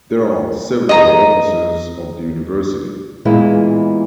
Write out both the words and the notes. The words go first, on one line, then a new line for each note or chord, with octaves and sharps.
There are several officers of the university.
D#5 A#5
E2 A#2 E3 G#3 A#3 E4